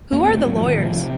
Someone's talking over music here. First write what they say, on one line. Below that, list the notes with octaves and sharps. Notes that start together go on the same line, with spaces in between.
Who are the lawyers?
F2 A#3
C4
F#1
A3
A2 F#3
F3
A2
D#3
C3 F3
C3